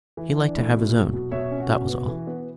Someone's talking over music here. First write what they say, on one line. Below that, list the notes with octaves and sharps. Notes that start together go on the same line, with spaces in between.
He liked to have his own,--that was all.
E3
D4
A2
B2
F#3
B2
B2 C#5 E5
C#4
F#4
B2
B3
E3
B3